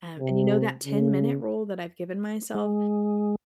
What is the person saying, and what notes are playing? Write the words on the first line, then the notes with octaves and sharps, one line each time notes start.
um, and you know that ten-minute rule that I've given myself,
C3
C#3
G#3